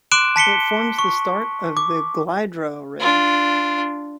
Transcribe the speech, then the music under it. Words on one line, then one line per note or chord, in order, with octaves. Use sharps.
It forms the start of the Glyderau ridge.
C6 D6 F#6 D7 E7
A5 B6 C#7 G7
C#6
D6
D4 F4